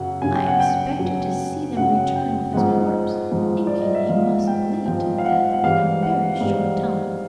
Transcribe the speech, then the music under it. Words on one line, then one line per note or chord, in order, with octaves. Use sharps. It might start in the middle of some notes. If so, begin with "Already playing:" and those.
I expected to see them return with his corpse, thinking he must bleed to death in a very short time.
Already playing: F#2 C#3 F#3 F#5
F#2 C#3 F#3 G#5
G5
F#5
G5
F#2 C#3 F#3
F#2 C#3 F#3 F#5
G5
G#2 F3 G#3 F#5
G#2 F3 G#3
D5
D#5
E5
G#2 F3 G#3 F5
G5
G#2 F3 G#3 G5
F5
F#5
F#5
G#2 E3 G3 F5
F#5
G#2 E3 G3